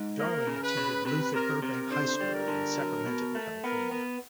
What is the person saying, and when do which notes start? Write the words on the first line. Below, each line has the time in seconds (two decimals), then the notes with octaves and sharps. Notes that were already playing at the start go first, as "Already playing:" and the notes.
Darling attended Luther Burbank High School in Sacramento, California.
Already playing: G#2
0.19 A#3 A#4
0.47 C#3
0.62 B4
0.77 C#3
1.05 C3 B4
1.34 C3 A#4
1.62 C3 A#4
1.91 D3 C5
2.20 G3
2.34 A#4
2.48 D3
2.78 F#3
3.07 B2
3.35 A3
3.63 B3 A#4
3.91 B3